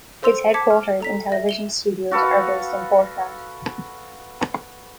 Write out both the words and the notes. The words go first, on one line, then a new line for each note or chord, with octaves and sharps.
Its headquarters and television studios are based in Portland.
A4 C5 C6 E6 F7
A5 D6 G#6 B6 C#7
F6
A4 A#5 B6
E5 A#6
E7 F7 G7
F#4 A4 B4 F5